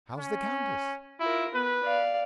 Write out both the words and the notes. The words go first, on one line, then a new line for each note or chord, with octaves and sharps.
How's the countess?
C#4
E4 F4 A#4
B3 B4
D5 F5